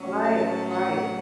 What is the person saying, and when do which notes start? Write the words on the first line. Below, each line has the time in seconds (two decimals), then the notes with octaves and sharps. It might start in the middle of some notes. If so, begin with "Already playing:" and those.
Right, right,
Already playing: A2 F#3 C#4
0.24 A5
0.69 F#5